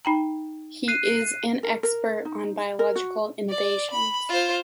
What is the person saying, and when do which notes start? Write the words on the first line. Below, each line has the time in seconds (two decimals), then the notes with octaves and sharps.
He is an expert on biological invasions.
0.05 D#4 G5 A#5
0.88 F#6 C7 D#7
1.63 A#4
1.83 A#4
2.25 D#4
2.79 A#4
2.96 F#4
3.49 D5
3.91 B5
4.29 F4 C5